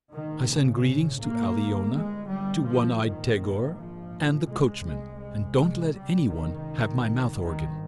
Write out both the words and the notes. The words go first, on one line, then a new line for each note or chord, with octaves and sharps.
I send greetings to Aliona, to one-eyed Tegor, and the coachman, and don't let any one have my mouth-organ.
A#1 G#2 D#3
C#3
A#3
G1 G2
G#3
G3
F3
A#1 G#2 D#3
F3
C2 C3 G#3
G#3
G#3
C#2 C3 G3
D#3
G#1 G2 D#3